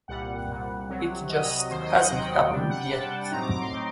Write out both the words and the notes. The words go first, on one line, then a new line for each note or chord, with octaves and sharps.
It just hasn't happened yet.
C2 A#2 G3 F#5
C2 A#2 G3
C2 C3 F#3
C2 C3 F#3 D#5
D#2 D#3 F#3 C5
D#5
F#5
D#2 D#3 F#3 G5
C3 G3 D4
F#5
G5
C3 G3 D4 A5
A2 F#3 C4 D#4 A#5
D6
D6
C6
A2 F#3 C4 D#4